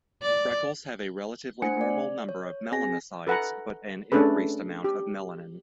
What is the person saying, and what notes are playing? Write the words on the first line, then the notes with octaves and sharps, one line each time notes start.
Freckles have a relatively normal number of melanocytes but an increased "amount" of melanin.
D5
A3 D4 C5 F#5 G#5 C#7
D5
C#5
C4 G#4 G#5 A#6
A4 B4 F#5 G#5 A#5
A3 C#4 D4 G#4 A4 B4
G4